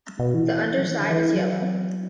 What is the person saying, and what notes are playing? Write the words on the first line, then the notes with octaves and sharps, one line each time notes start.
The underside is yellow.
B2
E3
F#3
E3
D3
E3
F#3